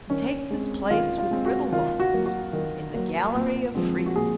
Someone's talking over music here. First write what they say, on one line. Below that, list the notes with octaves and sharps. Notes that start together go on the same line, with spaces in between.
He takes his place with Brittlebones in the gallery of freaks.
D#3 C#4
G#3 C4
D#3 F4
F4
G#3 C4
F#4
D#3 F4
F#4
F#3 A#3
F#4
D#3
F#3 A#3
A#2
F3 G#3 C4
F#4
A#2 G#4